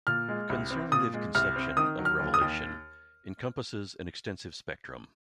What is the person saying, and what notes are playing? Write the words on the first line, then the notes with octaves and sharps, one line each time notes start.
Conservative conception of Revelation encompasses an extensive spectrum.
A#2 F6
G#3
C2
C4
A#2 D#6
G#3
C2 F6
C4
D#3 D#6
F#3
F6
D#2
D#6
D#2